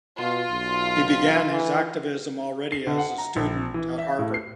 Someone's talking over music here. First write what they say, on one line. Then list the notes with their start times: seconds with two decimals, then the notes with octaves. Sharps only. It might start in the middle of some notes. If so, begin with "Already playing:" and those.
He began his activism already as student at Harvard.
0.19 B2 F4
0.51 B1
1.49 E3
2.72 C7
2.87 D3
2.98 F#5
3.18 A#5
3.36 A#1
3.74 E3
3.98 E5
4.19 A2
4.34 C7